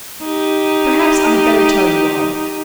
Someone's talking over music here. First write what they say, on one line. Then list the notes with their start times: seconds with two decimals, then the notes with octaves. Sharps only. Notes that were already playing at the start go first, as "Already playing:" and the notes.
Perhaps I had better tell you all.
0.24 D#4 G4